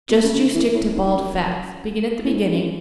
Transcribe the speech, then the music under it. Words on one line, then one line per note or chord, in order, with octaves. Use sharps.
Just you stick to bald facts. Begin at the beginning.
B2
C#3
C#3
D3
E3
A2
G#2
F#2
A2
G#2
F#2